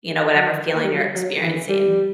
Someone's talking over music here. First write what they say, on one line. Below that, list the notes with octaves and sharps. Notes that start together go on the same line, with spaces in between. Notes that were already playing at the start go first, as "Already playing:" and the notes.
you know, whatever feeling you're experiencing?
F#3
A#3
G3
F#3
G3
F#3
E3
G3